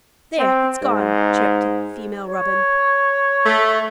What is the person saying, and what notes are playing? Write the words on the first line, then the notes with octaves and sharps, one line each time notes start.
"There, it's gone!" chirped the female robin.
C4
G#2
C#5
A3